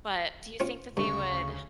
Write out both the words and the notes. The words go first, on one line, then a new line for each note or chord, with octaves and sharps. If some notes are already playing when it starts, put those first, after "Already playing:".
But do you think that they would
C4 C#4 F4
D2 G2 C#3 C#6